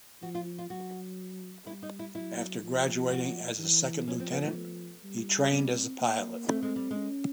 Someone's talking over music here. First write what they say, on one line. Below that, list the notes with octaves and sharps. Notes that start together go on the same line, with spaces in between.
After graduating as a second lieutenant, he trained as a pilot.
F3 F#4
F4
F4
F#3 F#4
G3 E4
D#4
E4
F#3 E4
F3
F#4
E3
F3 C#4
C4
B3
A3
G3
G3 C4
A#3
A3 C4
G#3
G3
G#3
C#4